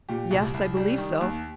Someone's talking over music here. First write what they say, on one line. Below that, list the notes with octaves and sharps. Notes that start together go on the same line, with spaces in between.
"Yes; I believe so."
A#2 G4
C2
C2
G3
D#3
D#2